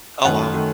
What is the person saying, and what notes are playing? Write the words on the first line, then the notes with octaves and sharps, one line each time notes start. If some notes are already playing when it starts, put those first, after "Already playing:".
Oh, wow.
F#2 D#3 A3 F#5
D#3 A3